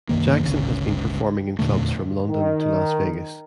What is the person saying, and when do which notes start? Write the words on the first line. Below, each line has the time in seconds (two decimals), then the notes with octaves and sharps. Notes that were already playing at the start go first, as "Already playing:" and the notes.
Jackson has been performing in clubs from London to Las Vegas.
0.09 C2 F#2 D#3 A#3
0.45 G1 C#2 C#3
1.59 E2 A#2 D3 A3
2.28 D#3